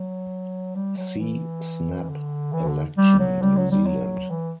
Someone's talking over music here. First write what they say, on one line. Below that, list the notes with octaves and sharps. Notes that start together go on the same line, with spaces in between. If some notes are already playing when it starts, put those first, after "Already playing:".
See Snap election, New Zealand.
Already playing: F#3
G3
F#3
E3
D3
E3
D3
G3
F#3
G3
F#3
G3
F#3
E3